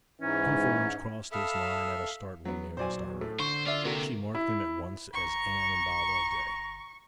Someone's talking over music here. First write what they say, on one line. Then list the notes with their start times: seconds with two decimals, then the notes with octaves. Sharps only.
Two forms crossed this line at a startling nearness to her; she marked them at once as Anne and Bob Loveday.
0.21 G#2 E3 C#4
1.32 A4 E5 F5 A5 B5 D#6
2.45 F#3 B3
2.77 A#1 F#3 C5 D5 G#5
3.21 A2 A3
3.39 D3 C5 C#6
3.67 F4 D5 E5
3.85 C3 A#3 F#4 A4
4.35 E4
5.13 G1 A#5 C#6